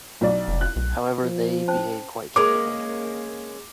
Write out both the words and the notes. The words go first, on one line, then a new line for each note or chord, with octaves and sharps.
However, they behave quite differently.
B1 D5
F1
F#6
B1
F3
C#4 C5 A5
G#3 A#3 C#4 A#4 D6